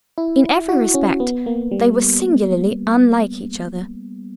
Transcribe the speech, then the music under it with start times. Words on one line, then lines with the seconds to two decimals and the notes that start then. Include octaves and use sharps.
In every respect they were singularly unlike each other.
0.18 E4
0.69 F#4
0.94 C#4
1.20 B3
1.46 A#3
1.71 G3